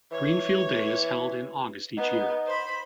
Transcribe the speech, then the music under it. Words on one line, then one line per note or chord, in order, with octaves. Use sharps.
Greenfield Day is held in August each year.
E3 C#5
B3 D#4
C5 B5